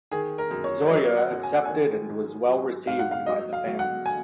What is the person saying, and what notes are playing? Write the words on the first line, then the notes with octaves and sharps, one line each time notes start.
Zoya accepted and was well received by the fans.
D#3 G#4
A#4
F#2
C#5
F#3 D#5
F#5
F#2
G#5
F#5
D#3 G#5
G#2
F#3
G#2 F5
F#5
F5
F#3 D#5
F5
F#3
F#5
G#5